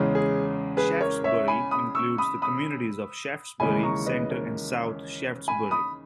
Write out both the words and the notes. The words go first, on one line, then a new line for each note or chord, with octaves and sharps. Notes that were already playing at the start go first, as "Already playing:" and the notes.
Shaftsbury includes the communities of Shaftsbury Center and South Shaftsbury.
Already playing: E2 C#3 G#3 C#4
G#4
G#4 B4
A#4 C#5
C#5 E5
G#5 B5
B5 D#6
C#6 E6
B5 D#6
B5 D#6
D#2 C#3 E3 G#3 D#4 G#5 B5
A#5 C#6
B4 D#5
A#4 C#5
G#5 B5
B5 D#6